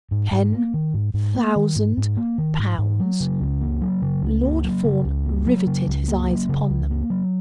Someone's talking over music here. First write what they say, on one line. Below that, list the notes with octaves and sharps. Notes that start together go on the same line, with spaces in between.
"Ten--thousand--pounds!" Lord Fawn riveted his eyes upon them.
G#2
G#2
A#3
D#3
G#2
G#2
A#3
D#3
G#2
G#2
A#3
D#3
G#2
G#2
F#3
C#3
C#2
A#3
F#3
C#3
C#2
A#3
F#3
C#3
C#2
A#3
F#3
C#3
C#2
A#3
F#3
C#3
C#2
A#3
F#3